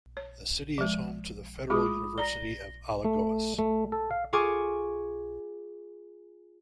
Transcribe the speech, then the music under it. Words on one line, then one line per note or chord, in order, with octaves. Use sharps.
The city is home to the Federal University of Alagoas.
C#5
F3 G#3
G#3 F4 G#4 B5 D6 D#6
D5 A#5 A#6 G7
A3
A3
A4
F5
F4 G#4 G#5 C#6 D6